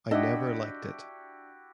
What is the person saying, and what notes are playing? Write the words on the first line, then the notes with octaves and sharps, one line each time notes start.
I never liked it.
D4 E4 F#4 G4 D#5 E5